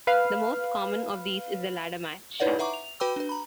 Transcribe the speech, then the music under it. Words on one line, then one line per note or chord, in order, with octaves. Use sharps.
The most common of these is the ladder match.
B4 F5
D#4 E4 B4 C#5 D5 F#5
B4 E5 F#5 A#5 C#6 D6
F7
F#4 B4 G5 B5 D6 E6
D4 B4
A#5 B5